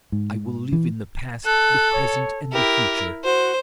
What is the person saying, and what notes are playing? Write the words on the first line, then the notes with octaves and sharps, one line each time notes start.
I will live in the Past, the Present, and the Future.
G#2
E3
A4 F#6
C#5
E4 G4 A#4
F#4 C5